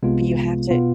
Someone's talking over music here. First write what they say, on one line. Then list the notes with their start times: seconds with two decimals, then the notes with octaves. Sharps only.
You have to
0.03 C2 C3 G#3 B3 F4
0.71 B2 B3 F4